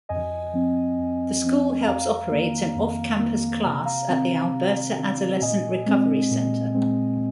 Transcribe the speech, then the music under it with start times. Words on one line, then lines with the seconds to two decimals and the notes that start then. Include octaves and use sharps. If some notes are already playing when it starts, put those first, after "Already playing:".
The school helps operate an off-campus class at the Alberta Adolescent Recovery Centre.
0.09 F2 D#5 G#5
0.53 F3 C4
0.98 F2
1.43 F3 C4
1.87 F2 F5 A#5
2.31 D#3 A#3
2.76 F2
3.20 D#3 A#3
3.64 C3 A#5
3.85 F5 A#5
4.08 D#3 C4
4.53 C3
4.98 D#3 C4
5.41 A#2 D#5 G#5
5.86 G#3 C4
6.31 A#2
6.75 G#3 C4